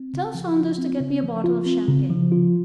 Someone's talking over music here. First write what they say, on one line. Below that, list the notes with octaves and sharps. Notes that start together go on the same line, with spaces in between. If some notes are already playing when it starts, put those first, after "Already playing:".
Tell Saunders to get me a bottle of champagne.
Already playing: C4
C#3
F3
F4
C4
C#3
F3
F4
C4
C#3
F3
F4